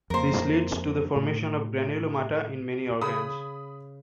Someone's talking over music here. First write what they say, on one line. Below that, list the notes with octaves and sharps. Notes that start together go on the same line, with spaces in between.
This leads to the formation of granulomata in many organs.
F2 A#3 A#4 C5
A2
C#3 B5 D#6